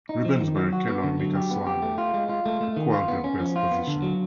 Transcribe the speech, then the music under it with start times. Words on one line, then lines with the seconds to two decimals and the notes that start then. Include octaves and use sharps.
Rubens Barrichello and Mika Salo equalled their best positions.
0.09 D#4
0.25 F3
0.41 D#3
0.56 F#3
0.73 F#4
0.88 B3
1.04 D3
1.20 F#3
1.35 G4
1.51 B3
1.67 G4
1.82 A3
1.98 F4
2.14 G#3
2.29 F4
2.46 A3
2.61 A3
2.77 D#3
2.92 F4
3.08 B3
3.24 C#4
3.40 F3
3.56 F4
3.71 B3
3.87 D3
4.02 F#3